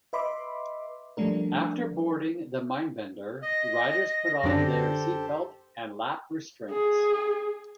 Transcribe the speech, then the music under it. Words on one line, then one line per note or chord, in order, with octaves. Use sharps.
After boarding the Mindbender, riders put on their seatbelt and lap restraints.
B4 D#5 E5 B5 C6 D6
F3 G3 A3 D4 A#4
D#5 A#6
F#2 D3 D4 G4 A4 C5
G#4